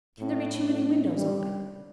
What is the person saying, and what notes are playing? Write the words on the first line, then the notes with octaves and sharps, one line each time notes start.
Can there be too many windows open?
A2
A2
G3